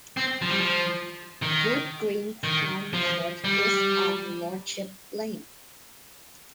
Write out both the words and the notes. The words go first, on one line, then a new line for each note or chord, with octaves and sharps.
Wood Green Crown Court is on Lordship Lane.
C4
F3
G3
F3
D#3
D#3
F3
G3